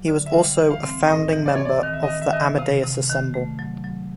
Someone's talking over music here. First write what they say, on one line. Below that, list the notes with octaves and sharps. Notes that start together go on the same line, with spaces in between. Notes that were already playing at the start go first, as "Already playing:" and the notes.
He was also a founding member of the Amadeus Ensemble.
Already playing: F#3
D3
E5
G3 F5
E3
F5
C4
A2 D#5
E3
D5
C4 C#5
D5
D#3 D#5
E5
D#5
D#3
E5
D#3 D#5
E5
C3 F5
C3
D#3
A3
F#3
F#3